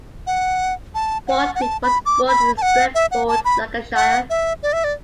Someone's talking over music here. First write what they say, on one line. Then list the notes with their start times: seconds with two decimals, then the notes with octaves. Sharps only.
Baldwin was born in Stretford, Lancashire.
0.27 F#5
0.95 A5
1.28 F#5
1.55 F#5
1.62 A5
1.83 B5
2.06 D6
2.28 B5
2.57 A5
2.62 F#5
2.95 E5
3.11 F#5
3.28 A5
3.45 B5
3.95 F#5
4.30 E5
4.63 D5
4.73 E5
4.84 D5